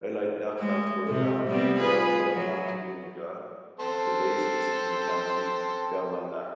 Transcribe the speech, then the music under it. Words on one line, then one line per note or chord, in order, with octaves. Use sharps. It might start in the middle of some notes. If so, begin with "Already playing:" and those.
Allied aircraft were allowed to overfly County Donegal to bases in County Fermanagh.
G#3
C3
G3 B3 C4
F4 G#4 B4
F#3
C4 A4 C6